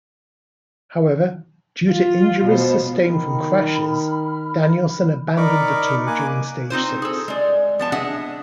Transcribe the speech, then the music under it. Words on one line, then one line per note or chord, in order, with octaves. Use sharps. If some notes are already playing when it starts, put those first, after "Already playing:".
However, due to injuries sustained from crashes, Danielson abandoned the Tour during stage six.
F4
B2 C5
D#3 B5 F6
D#4 A#4 D5 B5 C#6 D6
A#3 G#5 D6 F#6
C4 D#4 F4 C5
G#4 A4
G#3 D5
F3 B3 A5
D4 G#4 D#5 E5 F#5